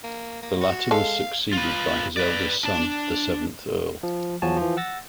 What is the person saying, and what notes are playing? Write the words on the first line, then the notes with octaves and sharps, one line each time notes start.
The latter was succeeded by his eldest son, the seventh Earl.
A#3
A#3
F#4
G#3 A4 F5
F4 B4
B4 D5
D4 A5
F3
E2 F3 F#3 F#4 G#5 A5
E3 F3
F#5 E6 A6 A#6